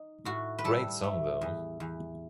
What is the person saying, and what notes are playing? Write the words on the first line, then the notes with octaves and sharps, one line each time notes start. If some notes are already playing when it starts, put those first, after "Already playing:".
Great song, though.
Already playing: D#4
A2 F#4
B4
G3 A4
A3
E2
E2